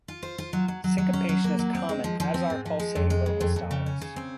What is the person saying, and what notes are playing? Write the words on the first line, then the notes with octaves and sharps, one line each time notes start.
Syncopation is common, as are pulsating vocal styles.
F4
C5
F4
F#3
F#3
F#3
F#3
C#4
F#3
A#3
F#3
C4
G#3
F3
F3
C4
G#2
F3
G#3
F2
G#3
C#3
F2
F2
C#3
C#4
C#3
C4